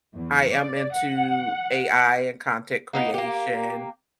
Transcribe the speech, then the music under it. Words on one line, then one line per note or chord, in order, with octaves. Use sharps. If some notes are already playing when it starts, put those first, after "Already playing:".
I am into AI and content creation,
E2
D5
F#5
A#3 B3 D#4
A#3 G4